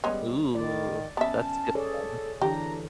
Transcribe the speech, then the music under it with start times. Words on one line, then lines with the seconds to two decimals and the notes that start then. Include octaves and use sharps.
Ooh, that's good one.
0.04 G3 G#3 B3 C#4
0.55 D#3 D5
1.17 B3 C#4 E5 A5
1.75 G#4 A4 C#5 D5
2.42 D3 E3 D4 G4 A#5